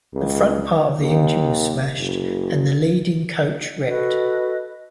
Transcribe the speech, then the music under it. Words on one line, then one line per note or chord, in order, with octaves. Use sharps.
The front part of the engine was smashed and the leading coach wrecked.
C#2
D#2
F#1
F#4 A4 B4 D#5